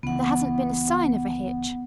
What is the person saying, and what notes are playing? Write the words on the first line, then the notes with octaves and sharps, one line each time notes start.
There hasn't been a sign of a hitch.
C#2 E3 B3 F#5